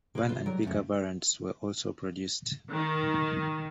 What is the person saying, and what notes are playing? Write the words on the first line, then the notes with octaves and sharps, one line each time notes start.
Van and pick-up variants were also produced.
C3 A#3 B4
F4
G#2 F#3 G3 A#4
C#2 F#2 C#3 A3
D#3